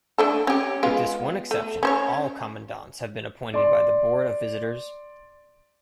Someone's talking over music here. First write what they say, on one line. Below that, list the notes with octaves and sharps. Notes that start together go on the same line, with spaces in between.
With this one exception all commandants have been appointed by the Board of Visitors.
A3 D4 A4
C#4 G4
G#3 B3 F4
A3
C#4 C5 C#5
D5 C6